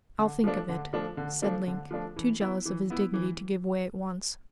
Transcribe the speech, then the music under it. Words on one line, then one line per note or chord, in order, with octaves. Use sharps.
"I'll think of it," said Link, too jealous of his dignity to give way at once.
D3
F3 A3 D4
D3
F3 A3 D4
D3
F3 A3 D4
D3
F3 A3 D4
E3
B3 E4
E3
B3 E4
E3